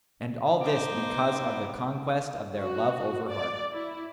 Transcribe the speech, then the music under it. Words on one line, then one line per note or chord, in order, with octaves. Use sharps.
And all this because of the conquest of their love over hearts.
D#4 C5 D6
B3
F#4
D5
E4